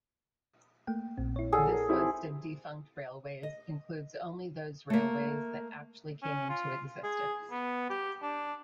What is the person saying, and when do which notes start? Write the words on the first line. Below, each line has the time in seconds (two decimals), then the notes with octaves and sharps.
This list of defunct railways includes only those railways that actually came into existence.
0.87 A3 A#3 G5
1.17 A#1 A#2 C4
1.36 E4 C#5
1.52 G#4 A4 D5 F#5
1.66 A#4
1.89 C4 D#4 E4 G4
3.43 D#5
4.90 A3 A#3
6.23 C#4
6.50 F4
7.04 G#4
7.51 B3
7.90 G4
8.22 D4